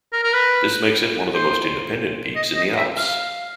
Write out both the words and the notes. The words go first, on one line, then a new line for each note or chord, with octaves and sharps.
That makes it one of the most independent peaks in the Alps.
A#4
A#4
B4
C5
D#5
D#5
E5
F5